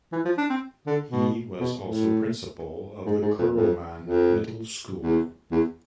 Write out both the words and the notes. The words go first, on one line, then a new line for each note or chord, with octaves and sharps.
He was also principal of the Kuruman Middle School.
E3
F3
D4
C4
D3
B2
B2
A2
G#2
G#2
F2
F2
F2
E2
E2